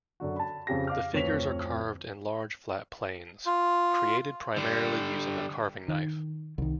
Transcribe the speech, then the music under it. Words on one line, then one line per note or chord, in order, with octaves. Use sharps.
The figures are carved in large flat planes, created primarily using a carving knife.
F#2 D3 F#4
A5 B5
F2 C#3 G4 A#6
F5 D6 F6
D1 F2 B4 C#5 B6 F7
F4
D3 G3
D#3
C2 D#3